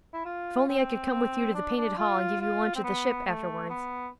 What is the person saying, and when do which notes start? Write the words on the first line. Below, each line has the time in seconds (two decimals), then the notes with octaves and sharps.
If only I could come with you to the Painted Hall and give you lunch at the "Ship" afterwards!
0.14 E4
0.25 F4
0.68 C4
1.11 C4
1.54 D4
1.76 D4
1.98 F4
2.41 F4
2.76 C4
2.84 B3
3.27 A3
3.70 B3